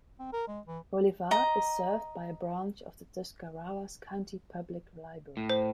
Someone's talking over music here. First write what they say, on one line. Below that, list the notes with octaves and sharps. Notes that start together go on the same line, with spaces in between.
Bolivar is served by a branch of the Tuscarawas County Public Library.
C4
A#4
G#3
E3
D#5 A#5
A2
C5